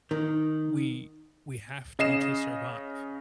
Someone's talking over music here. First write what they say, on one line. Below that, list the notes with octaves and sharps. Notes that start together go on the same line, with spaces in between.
we we have to to survive.
D#3
C#3 D#5 C7 E7